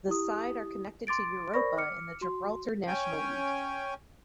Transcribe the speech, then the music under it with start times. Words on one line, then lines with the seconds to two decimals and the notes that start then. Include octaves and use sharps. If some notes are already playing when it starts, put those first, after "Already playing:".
The side are connected to Europa in the Gibraltar National League.
0.09 E4 G4 D#6
1.07 C6 D6 A6 D7
1.54 A#4 C5 D5 B5 C#6 A#6
1.77 D6 F6 C#7
2.21 F#4 C6
2.87 C#4 G5 G#5